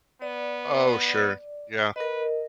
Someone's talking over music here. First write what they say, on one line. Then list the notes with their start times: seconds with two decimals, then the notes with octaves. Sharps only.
Oh, sure. Yeah.
0.22 B3 D5
1.96 A#4 B4 D#5